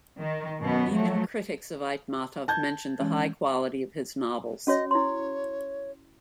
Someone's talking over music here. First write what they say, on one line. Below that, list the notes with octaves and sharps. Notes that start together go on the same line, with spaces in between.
Even critics of Aitmatov mentioned the high quality of his novels.
D#3
F#2 B2 B3
F3 F#3 A3
A5 G6 G#6
E3 G#3 C#4
C#4 F#4 C#5 D#5
E4 C#5 C6